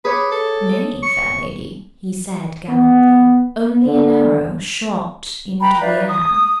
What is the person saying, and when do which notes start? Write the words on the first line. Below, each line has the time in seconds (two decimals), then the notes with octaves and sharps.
"Nay, fair lady," he said gallantly, "only an arrow shot into the air."
0.05 G#4 B4 C#5 D6
0.32 A4
1.03 C#6
2.69 B3
3.86 D3
5.61 B4 G5 A#5 B5
5.81 D#4 B4 D5 E5 F5
6.09 D#6